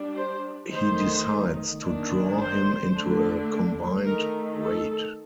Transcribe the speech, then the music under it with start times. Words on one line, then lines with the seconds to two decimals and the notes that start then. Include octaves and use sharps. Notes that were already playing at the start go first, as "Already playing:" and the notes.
He decides to draw him into a combined raid.
Already playing: G3 D4
0.16 C5
0.71 D#3 A3 D#4 C5
1.82 D#3 A#3 D4
2.39 C5
2.94 D3 A3 D4
4.05 D#3 A3 D#4 A#4
4.61 A4